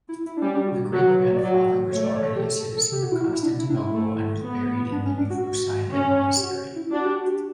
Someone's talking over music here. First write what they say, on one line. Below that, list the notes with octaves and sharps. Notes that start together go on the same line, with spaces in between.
The great grandfather was already a citizen of Constantinople and was buried in the Euphrosyne monastery.
E4
E4
D4
G3 C#4
D4
F#4
F#3 A4
B4
C#5
D5
F#3
C#5
A3 C#5
D5
C#5
G4
A4
A4
A4
G4
F#4
E4
F#4
E4
D4
E4
D4
E4
A3
B3
D4
C#4
D4
F#4
F#4
C#4
G4
F#4
E4
D4 F#4
G4
F#4
G4